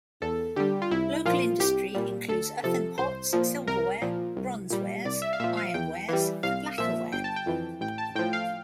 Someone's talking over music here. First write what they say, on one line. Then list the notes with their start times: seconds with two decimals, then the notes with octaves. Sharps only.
Local industry includes earthen pots, silverware, bronze-wares, iron-wares and lacquerware.
0.22 E2 A4
0.56 D3 G3 G4
0.82 F4
0.91 C2 E4
1.25 A#2 F3 F4
1.60 C2 G4
1.94 A#2 G3
2.28 D2 A4
2.63 C3 F3 A4
2.98 C2 C5
3.33 A#2 F3
3.67 C2 A#4
4.02 A#2 F3
4.37 C2
4.70 A#2 G3
5.05 C2 D5
5.22 E5
5.33 F5
5.40 A#2 F3 E5
5.57 F5
5.74 E2 G5
6.09 E3 G3
6.43 C2 F5
6.78 A#2 F3 E5
7.12 G1 G5
7.24 A5
7.36 G5
7.46 F2 E3
7.81 A1 G5
7.98 A5
8.15 A2 F3 G5
8.33 F5